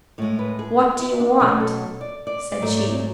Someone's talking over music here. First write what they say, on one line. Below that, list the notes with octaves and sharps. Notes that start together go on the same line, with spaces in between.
'What do you want?' said she.
A2 G#3 C#5
B4
G#4
F#4
E4
D4
B2 F#3 A3 C#4
A4
D5
D5
D5
G#2 F#3 A3
D5